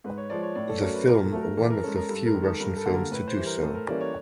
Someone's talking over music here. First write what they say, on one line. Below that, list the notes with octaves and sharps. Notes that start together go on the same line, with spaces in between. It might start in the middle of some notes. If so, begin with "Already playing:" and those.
The film one of the few Russian films to do so.
G#2 B4
C#5
F3 G#3 D5
C#5
A2 D5
A4
F#3 A3 C#4 A#4
B4
A#2 A#4
A4
F#3 A3
A#4
E3 A4
A#4
G#3 C#4 A4
A#4
G2 A4
A#4
D#3 G#3
A4
G2 A#4
A4
D3 G3 A#3
A#4
A2 B4
C5
E3 G3
A#4
A2 A4
A#4
E3 G3 A#3 C#4 D5
C#5